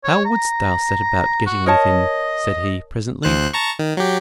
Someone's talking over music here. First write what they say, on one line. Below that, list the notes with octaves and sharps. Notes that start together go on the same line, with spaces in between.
"How wouldst thou set about getting within?" said he, presently.
C#5
A#5
F#4
A#4 C#5 D#5 A5
D2 C5 F#6
A5 A#5 C#6
D#3
F#3 G4